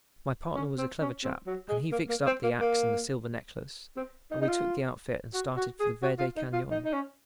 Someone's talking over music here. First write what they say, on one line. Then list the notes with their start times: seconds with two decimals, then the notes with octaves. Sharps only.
My partner was a clever chap, and he fixed up the axe and the silver necklace, and we took the outfit and started for the Verde Canyon.
0.55 C#4
0.78 C4
1.01 C#4
1.24 C4
1.46 F#3
1.69 G#3
1.92 A#3
2.09 A#3
2.26 C4
2.43 A#3
2.60 A#3
3.97 C4
4.31 D#4
4.41 D#4
4.48 F4
5.34 F#4
5.56 F#4
5.80 G#4
6.02 F#4
6.19 F4
6.36 D#4
6.53 F4
6.71 D#4
6.84 D#4
6.93 C#4